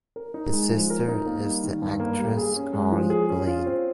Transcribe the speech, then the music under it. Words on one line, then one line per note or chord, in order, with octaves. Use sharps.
His sister is the actress Carly Blane.
A#4
D#4
G#3
F3
A#4
D#4
A#3
G3
D#3
G2
A#3
G3
G#4
C#4
G#3
F3
G#4
C#4
F4
C4